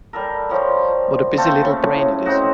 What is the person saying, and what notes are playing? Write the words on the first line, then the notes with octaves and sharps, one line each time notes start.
What a busy little brain it is.
G3 A4 A#4
F3 G3 C#5
A3 A#3 C4 A4
C#3 C#4
A2
C#3 C4 D#4 F#4